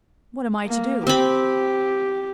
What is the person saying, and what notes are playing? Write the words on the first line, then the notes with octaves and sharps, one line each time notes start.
"What am I to do?"
A#3
C4 G4 B5